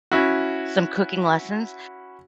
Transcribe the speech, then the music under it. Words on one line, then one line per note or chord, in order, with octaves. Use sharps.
some cooking lessons
C#4 E4 F#4